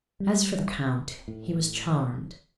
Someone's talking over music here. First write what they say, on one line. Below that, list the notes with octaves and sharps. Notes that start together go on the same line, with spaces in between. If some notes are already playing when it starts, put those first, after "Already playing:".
As for the Count, he was charmed.
G3
A2